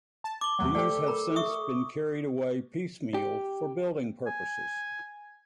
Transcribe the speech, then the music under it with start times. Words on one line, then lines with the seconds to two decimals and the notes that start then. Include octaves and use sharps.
These have since been carried away piecemeal for building purposes.
0.24 A5
0.41 D6 G7
0.59 E2 A2 F#3
0.75 A3 G4 A4 C5 D5
1.07 A#4 A#5 B5
1.36 E5 C#6 D#6
3.14 G4
4.27 G#5